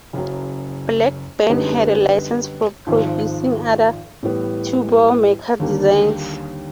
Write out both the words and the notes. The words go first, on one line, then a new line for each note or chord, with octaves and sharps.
Blackburn had a licence for producing other Turbomeca designs.
F#1 F#2 C#3 F#3
F#2 D3 G3 B3 D#4
G#1 G#2 F3
A2 E3 G3 B3
D#2 D3 G3 A#3